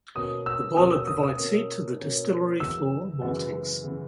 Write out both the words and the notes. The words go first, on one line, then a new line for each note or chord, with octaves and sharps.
The boiler provides heat to the distillery floor maltings.
B2 A#3 C#4 D#6
E6
B2 A#3 C#4 D#6
E6
D#6
D#6
B2 A#3 C#4
B2 A#3 C#4
F#2 C#3 E3 B3 E6
F#2 C#3 E3 B3
C#3 E3 B3